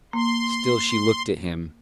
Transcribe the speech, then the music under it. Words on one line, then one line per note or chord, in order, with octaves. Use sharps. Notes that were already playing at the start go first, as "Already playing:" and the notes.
Still she looked at him.
A#3 C6